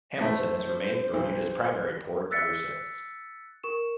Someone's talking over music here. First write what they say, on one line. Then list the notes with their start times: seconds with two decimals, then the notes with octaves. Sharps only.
Hamilton has remained Bermuda's primary port ever since.
0.20 A3 C5
1.14 B1
2.31 E6 F#6 A6 B6 C#7
3.63 A#4 C#6 E7